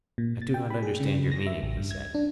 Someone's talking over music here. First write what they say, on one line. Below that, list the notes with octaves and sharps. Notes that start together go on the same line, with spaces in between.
I do not understand your meaning, he said.
A#2
A6
G5
B5
G#4
C#3
A#6
E5
A1
G2
G#6
D4